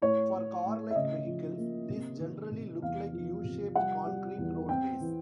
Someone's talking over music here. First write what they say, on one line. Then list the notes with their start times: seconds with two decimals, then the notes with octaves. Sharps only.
For car-like vehicles these generally look like U-shaped concrete roadways.
0.02 A2 C#5
0.34 A2
0.64 A2
0.90 E5
0.95 C#3 D#5
1.26 F3
1.58 A#3
1.89 C3
2.20 D#3
2.52 C3
2.82 E2 F5
3.13 F3
3.44 C3
3.75 G3 F#5
4.07 G3
4.38 E2
4.69 C4 G5
5.00 E3